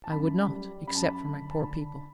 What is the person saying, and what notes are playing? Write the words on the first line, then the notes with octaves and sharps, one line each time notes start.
"I would not--except for my poor people."
A5
F#2 B5
G3
F#2 B5
A5
B5
D3
A5
D3 B5